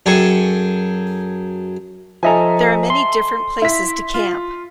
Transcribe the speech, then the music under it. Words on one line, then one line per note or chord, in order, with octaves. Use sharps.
There are many different places to camp.
F#2 G#4 A4 G5 G#5 C#6
F3 A4 D#5 E5 G#5 A#5
C6
E4 B6
F4